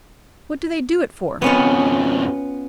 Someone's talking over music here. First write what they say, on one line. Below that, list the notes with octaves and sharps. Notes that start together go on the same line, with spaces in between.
What do they do it for?
F2 B2 B3 C#4 F4